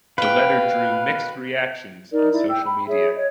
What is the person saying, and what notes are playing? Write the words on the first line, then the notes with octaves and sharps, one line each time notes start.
The letter drew mixed reactions on social media.
B2 B4 F5 G5
D#4 A#4 D5
E4 D5
G5 E6
B5
G#4 C#5 E5
C#5 D#5